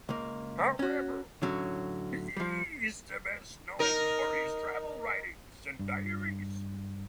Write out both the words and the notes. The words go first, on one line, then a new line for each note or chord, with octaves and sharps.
However, he is best known for his travel writings and diaries.
C#2 A#3
C#4 F#4
A2 D3 F#3 C#4
F3 G3
D#4 A#4
G2